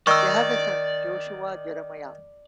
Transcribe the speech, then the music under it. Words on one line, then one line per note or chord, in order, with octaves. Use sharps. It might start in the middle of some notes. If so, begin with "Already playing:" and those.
They have a son, Joshua Jeremiah.
D#3 D5 C#6 E6